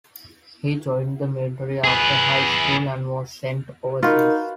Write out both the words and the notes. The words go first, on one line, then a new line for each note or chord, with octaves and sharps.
He joined the military after high school and was sent overseas.
G#4 B4
D#4 F4 F#4 A#4 B4